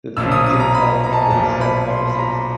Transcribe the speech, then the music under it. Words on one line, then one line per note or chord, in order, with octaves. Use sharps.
The three Gentile prophets sat opposite.
B1 A#2 F3 E6
D#6
D#6
A#5
B5
A#5
A5
G#5
B1 A#2 F3 A5
B5
C6
B5
A#5